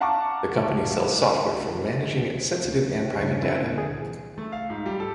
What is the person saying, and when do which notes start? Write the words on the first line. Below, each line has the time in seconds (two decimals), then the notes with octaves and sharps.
The company sells software for managing sensitive and private data.
0.01 F5 F#5 A5 A#5 C#6 D6
3.05 G4
3.21 G2 C#3
3.42 G3 C4 E4
3.59 A#2 D3
3.78 G#4
4.38 A3
4.52 F5
4.70 G#2
4.86 G3
5.00 A4